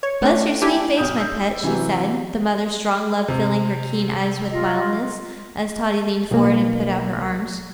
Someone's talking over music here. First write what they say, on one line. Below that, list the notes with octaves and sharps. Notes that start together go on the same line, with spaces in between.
"Bless your sweet face, my pet," she said, the mother's strong love filling her keen eyes with mildness, as Totty leaned forward and put out her arms.
C#5
A3 C#4 D4
D4 E4 G4 G#5
B1 D#6 G6
E6 G6
C3 E3 F#3
C3
F4 D#5
B1 A#3